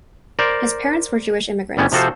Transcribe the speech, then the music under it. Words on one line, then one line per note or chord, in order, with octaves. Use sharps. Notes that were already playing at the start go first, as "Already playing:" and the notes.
His parents were Jewish immigrants.
A#4 C5 D5
G1 G3 B3 C#4
C3 F3 F#4 A4 C5